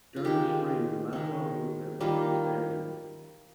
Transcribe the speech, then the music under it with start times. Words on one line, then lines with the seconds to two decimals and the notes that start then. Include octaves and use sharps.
During the spring the Lapua Movement was disbanded.
0.16 F4
0.24 D#3 G#3 G4
1.13 D#3 G#3
2.00 D#3 G3 A#3 F4